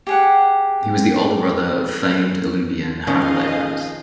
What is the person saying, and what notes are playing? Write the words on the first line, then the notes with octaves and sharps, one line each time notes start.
He was the older brother of famed Olympian Harold Abrahams.
G4 G#4 F#5
D#3 F3 C#4 G#4 D#5 F5